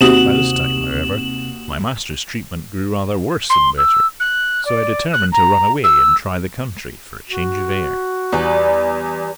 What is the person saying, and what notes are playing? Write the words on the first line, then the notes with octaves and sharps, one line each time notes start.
By this time, however, my master's treatment grew rather worse than better, so I determined to run away and try the country, for a change of air.
D#2 C3 F#4 D#6 E7 F#7
C6
E6
F#6
D5
F#6
A#5
E6
F#4
E2 G3 B4 D5